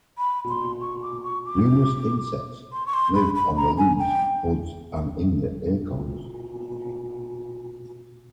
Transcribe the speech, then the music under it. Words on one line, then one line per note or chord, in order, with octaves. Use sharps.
Numerous insects live on the leaves, buds, and in the acorns.
B5
C6
C#6
D6
C#6
D6
C6
C#6
C6
B5
B5
A#5
G#5
G5